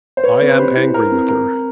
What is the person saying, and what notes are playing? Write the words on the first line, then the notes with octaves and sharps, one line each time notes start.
I am angry with her.'
C5
B4 C#5
C4
C5
G4 B4
E4
E4 A#4
C4
C4 A#4
C4